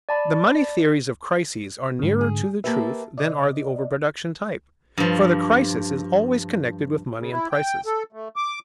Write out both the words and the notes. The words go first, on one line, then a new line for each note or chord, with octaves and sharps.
The money theories of crises are nearer to the truth than are the over-production type, for the crisis is always connected with money and prices.
D5 A5 B5
G#2 D3
G#4
A#3 G4 B4 E5 A5
C3 D5 D#5
G2 F3
C#3
E4
G5
A4
A3
D6